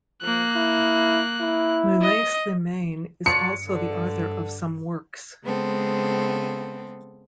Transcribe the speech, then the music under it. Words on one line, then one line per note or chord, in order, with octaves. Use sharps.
Mulay Slimane is also the author of some works.
F3 A#3 F#6
E4
E4
D#5
G2 D4 F4 C#5 C#7
D3
C#3 G#3 B3 C4 A4